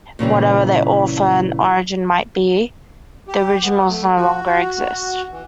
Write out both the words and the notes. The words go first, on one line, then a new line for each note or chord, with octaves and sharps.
Whatever their author and origin might be, the originals no longer exist.
A#2 C#3 E3 G3
G4
B3
A3
F#4
E3